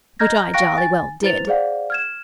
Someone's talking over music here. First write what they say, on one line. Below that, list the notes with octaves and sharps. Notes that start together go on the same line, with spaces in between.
Which I jolly well did.
D#5 A#5 F6 G6 G#6 A#6
F5 G5 C#6 F#6 A#6 D7
G#5 A6
E4 B4 C5 A6 F7
G#4 C5 D5 F5 F#5
F6 G#6 E7